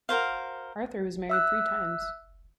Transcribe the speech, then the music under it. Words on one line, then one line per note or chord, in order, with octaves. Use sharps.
Arthur was married three times.
F#4 A#4 C5 F5
E5 E6 F#6